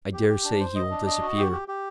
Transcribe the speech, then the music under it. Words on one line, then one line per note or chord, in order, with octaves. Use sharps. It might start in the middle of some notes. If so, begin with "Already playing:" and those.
I daresay he will disappear.
G4
G4
D4
C5
D#5
D4
D#5
F#4
G4
G4
G4